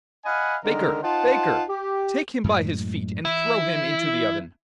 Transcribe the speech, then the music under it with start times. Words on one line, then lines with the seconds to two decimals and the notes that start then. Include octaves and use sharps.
'Baker, baker, take him by his feet, and throw him into the oven!'
0.25 D#5 F5 F#5 G#5 B5
0.64 D3 D#3 G#3 A#4
1.02 D#4 F4 C5 F#5 A5
1.68 G4
2.44 F#2 A2 G#3
3.25 E3 E4